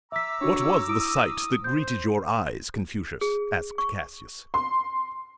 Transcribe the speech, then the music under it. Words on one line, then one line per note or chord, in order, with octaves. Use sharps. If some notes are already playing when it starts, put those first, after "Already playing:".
"What was the sight that greeted your eyes, Confucius?" asked Cassius.
E5 A#5 D6 E6 B6
D4 F#4 C#5
E4 D#6 D7
C5 G6
G#4
C#6
C6